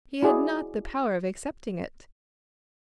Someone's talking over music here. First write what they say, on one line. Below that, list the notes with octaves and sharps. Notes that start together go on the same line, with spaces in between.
He had not the power of accepting it.
E4 F#4 G#4 D5